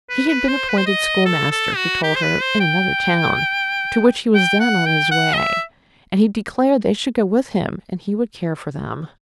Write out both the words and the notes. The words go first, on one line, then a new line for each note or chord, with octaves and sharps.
He had been appointed schoolmaster, he told her, in another town, to which he was then on his way, and he declared they should go with him and he would care for them.
B4
B4
C5
B4
C5
D#5
A4
A4
F#4
G4
C5
B4
C5
G5
G5
F#5
G5
F#5
D#5
E5